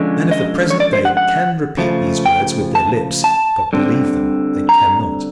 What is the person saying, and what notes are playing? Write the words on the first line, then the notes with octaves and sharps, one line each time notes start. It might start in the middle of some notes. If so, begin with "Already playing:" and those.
Men of the present day can repeat these words with their lips, but believe them they cannot.
Already playing: D3 F3 G#3 C#4
D#5
C#5
D5
C5
F#5
F#5
C#3 F3 A3
G5
A5
A5
D3 G3 C4
A#5